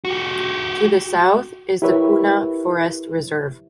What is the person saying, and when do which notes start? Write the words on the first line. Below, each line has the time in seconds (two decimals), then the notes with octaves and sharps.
To the south is the Puna Forest Reserve.
0.05 F#4 G4
1.82 E4 G4 A#4 B4 C#5 E5